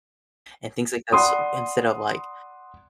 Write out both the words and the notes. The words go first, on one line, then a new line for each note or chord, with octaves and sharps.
and things like that, so instead of, like
D5 F#5 B5 C6 D#6